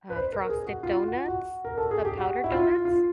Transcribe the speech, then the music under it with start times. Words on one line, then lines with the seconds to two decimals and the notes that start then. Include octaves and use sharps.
uh, frosted donuts, the powdered donuts.
0.10 B4
0.16 C5
0.33 A#4
0.49 G#4
0.67 F#4
0.83 F4
1.06 F#4
1.28 F#4
1.65 A#4
1.78 A4
1.91 G#4
2.05 G4
2.18 F#4
2.44 E4
2.51 F4
2.85 F4